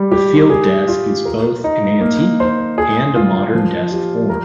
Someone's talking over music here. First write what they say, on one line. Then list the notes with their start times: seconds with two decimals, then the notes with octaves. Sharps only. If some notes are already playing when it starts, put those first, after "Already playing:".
The field desk is both an antique and a modern desk form.
Already playing: G3
0.12 G4
0.50 G#4
0.88 F4
1.25 A#4
1.64 D#4
2.01 A#3
2.40 C5
2.78 G#4
3.16 F4
3.54 F3
3.92 G4
4.29 A#4